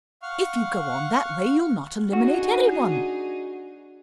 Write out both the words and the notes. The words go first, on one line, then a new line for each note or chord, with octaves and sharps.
"If you go on that way you'll not eliminate anyone."
F5 F#5 C#6 F6
D4 D#4 F#4 G#4